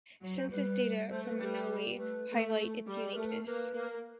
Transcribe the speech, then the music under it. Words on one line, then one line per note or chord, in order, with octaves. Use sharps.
Census data for Monowi highlight its uniqueness.
F#3
C5
G3 B4
A3 C5
B4
G3
A3 B4
A3
G3
B4
A3 A#4
B4
A#4
A#3 B4
A#3